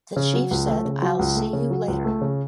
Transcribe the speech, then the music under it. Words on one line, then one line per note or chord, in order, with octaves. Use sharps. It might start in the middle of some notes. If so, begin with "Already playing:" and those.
The Chief said, 'I'll see you later.
C#3
F#3
C#2
A3
C#3
F#3
C#2
A3
C#3
F#3
C#2
A3
C#3